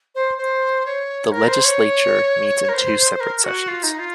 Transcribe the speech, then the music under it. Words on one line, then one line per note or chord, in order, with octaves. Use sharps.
The Legislature meets in two separate sessions.
C5
C5
C#5
A#4
C5
C#5
A#4
C5
A#4
F#4
F4
D#4
F4